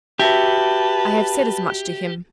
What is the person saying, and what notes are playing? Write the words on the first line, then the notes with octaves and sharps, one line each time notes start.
I have said as much to him.'
F#4 G4 B4 E5 A5